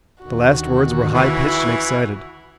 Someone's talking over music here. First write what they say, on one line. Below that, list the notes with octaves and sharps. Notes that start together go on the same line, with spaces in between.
The last words were high-pitched and excited.
D#2 D3 D#3 F#4
C#3 E3 E4